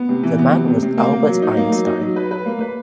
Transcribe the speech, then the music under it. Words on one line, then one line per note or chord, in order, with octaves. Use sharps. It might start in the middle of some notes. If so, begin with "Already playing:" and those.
The man was Albert Einstein.
Already playing: B3
C3
E3
B3
C3
C3
C3
A#3
A#3
F#3
D#4
A#3
F#3
D#4
F#3
B4
B4
A#3
B4